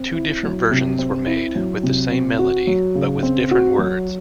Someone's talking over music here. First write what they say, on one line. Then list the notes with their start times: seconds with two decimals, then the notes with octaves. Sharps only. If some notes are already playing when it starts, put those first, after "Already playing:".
Two different versions were made with the same melody but with different words.
Already playing: C4
0.15 E4
0.43 F#3
0.71 C3
0.99 C4
1.27 E4
1.56 F#3
1.83 C3
2.11 C4
2.39 F#4
2.67 F#3
2.95 C#3
3.23 C4
3.51 F#4
3.79 F#3